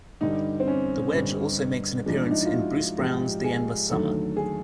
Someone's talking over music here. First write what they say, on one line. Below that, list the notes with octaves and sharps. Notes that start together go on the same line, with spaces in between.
The Wedge also makes an appearance in Bruce Brown's "The Endless Summer".
G2 D3 G3 D#4
C4
C#4
G2 D3 G3
G#2 F3 G#3 D4
D4
D#4
E4
F4
F#4
G#2 F3 G#3 G4
G#4
D#2 D3 F#3 A3 A4
G#4